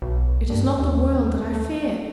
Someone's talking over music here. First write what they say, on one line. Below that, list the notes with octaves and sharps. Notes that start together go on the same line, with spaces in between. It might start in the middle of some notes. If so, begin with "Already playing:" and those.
It is not the world that I fear!
B1
G2
D#2
A3